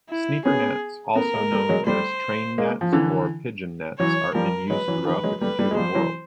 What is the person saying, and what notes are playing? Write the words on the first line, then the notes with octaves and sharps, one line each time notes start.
Sneakernets, also known as trainnets or pigeonets, are in use throughout the computer world.
E4
B3 C#4 G#4
A3 B3 A#4
G#3 A#3
G3 A3
F#3 G#3
G3 A3 C5
G#3 A#3
F3
D3 E3
E3 F#3 C#5
F3 G3 A#4
F#3 G#3 B4
E3 F#3
D#3 F3 B4
F#3 G#3
G3 A3 B4
G3 A3
G#3
F3 G3 C5
E3 F#3